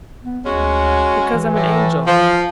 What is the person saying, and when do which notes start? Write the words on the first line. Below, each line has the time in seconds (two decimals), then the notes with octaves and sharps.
"Because I'm an angel."
0.23 B3
0.46 D2 G#3 C#4 F#4
1.33 E3
1.54 A2
2.06 F3